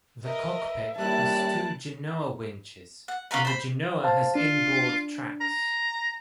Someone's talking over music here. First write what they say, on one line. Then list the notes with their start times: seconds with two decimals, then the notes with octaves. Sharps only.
The cockpit has two genoa winches and the genoa has inboard tracks.
0.24 A#4 B4 D#5 E5
0.98 G3 A#3 C#4 E4 A5 F#6
3.08 F#5
3.31 C#4 F4 A#4 B4
3.45 C5 B5
4.03 C5 F5 A5
4.35 D4 F4
5.41 A#5